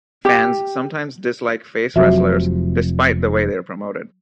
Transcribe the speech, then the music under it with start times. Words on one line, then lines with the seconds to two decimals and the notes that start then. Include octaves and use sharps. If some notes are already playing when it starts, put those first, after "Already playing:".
Fans sometimes dislike face wrestlers despite the way they are promoted.
0.25 G4
1.96 F1 C3 F3 F#3 F#4 E5